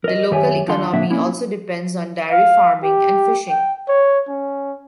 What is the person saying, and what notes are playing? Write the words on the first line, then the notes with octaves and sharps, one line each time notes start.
The local economy also depends on dairy farming and fishing.
A#4 D#5
F#2 D#3 G4 C#5 E5 G#5
D#2 F3 D4 F5 F#5 C6
D2 A#2 A#3 D4 E5 F#5
A#3 C#4 E4
F5
G4
G5
C#5
C#4